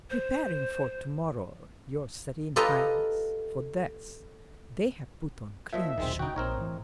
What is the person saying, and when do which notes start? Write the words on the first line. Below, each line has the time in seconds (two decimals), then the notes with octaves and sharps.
"Preparing for tomorrow, your Serene Highness--for death--they have put on clean shirts."
0.10 C5
2.56 F4 G4 A4 B4 D#5 A#5
5.73 A#2 F3 D#5 E5
5.98 D#1 B1 D#3 G#3 C4
6.19 D#4 F#4 G5
6.36 A#1 C4 D#4 A#4 C#5
6.57 A2 E3